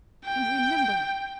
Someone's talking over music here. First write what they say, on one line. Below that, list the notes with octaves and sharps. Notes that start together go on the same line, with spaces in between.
And remember!
G5